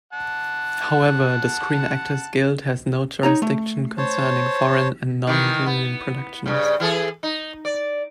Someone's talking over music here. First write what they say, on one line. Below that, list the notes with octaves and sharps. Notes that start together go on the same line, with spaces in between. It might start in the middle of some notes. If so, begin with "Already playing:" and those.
However, the Screen Actors Guild has no jurisdiction concerning foreign and non-union productions.
F#5 A5
D#4 C#5 A#5
A3
C5 C#5 A5
D#3 E3
B3
G2 C#3
E3 G#4 A4
D#4
D5